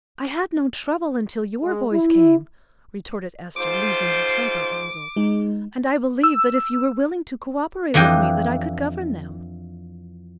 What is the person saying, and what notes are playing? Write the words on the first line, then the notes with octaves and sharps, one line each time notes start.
"I had no trouble until your boys came," retorted Esther, losing her temper a little, "and I believe that if you were willing to co-operate with me that I could govern them."
G#3
E4
G#2 F4 C5 D6
G#3 D#4
E6
F2 E3 D4 D#5 G5